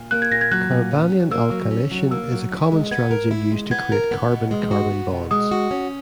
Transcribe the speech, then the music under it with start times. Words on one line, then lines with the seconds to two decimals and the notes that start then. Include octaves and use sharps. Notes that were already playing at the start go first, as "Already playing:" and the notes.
Carbanion alkylation is a common strategy used to create carbon-carbon bonds.
Already playing: A#2
0.11 A#3 F#6
0.22 G#6
0.32 A#2 A#6
0.41 G#6
0.52 F#3 F#6
0.71 A#2
0.91 C#4
1.11 F#3
1.31 A#3 E6
1.51 F#3
1.71 C#4
1.91 F#3
2.11 A#3 E6
2.31 F#3
2.51 E4
2.72 G#3
2.91 B3 G#6
3.11 A#4
3.31 E4
3.52 G#3
3.71 B3 G#6
3.92 A#4
4.11 B3
4.32 B2
4.51 G#3
4.71 F#4
4.91 B3
5.11 B2
5.31 G#3 D#6
5.51 F#4
5.71 C#4